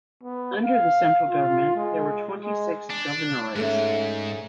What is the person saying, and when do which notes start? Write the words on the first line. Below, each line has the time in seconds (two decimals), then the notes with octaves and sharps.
Under the central government, there were twenty-six governorates.
0.23 B3
0.63 F5
1.29 F4
1.76 G#3
2.42 G#3
2.90 D4
3.56 G#2 G#3 A3 C#4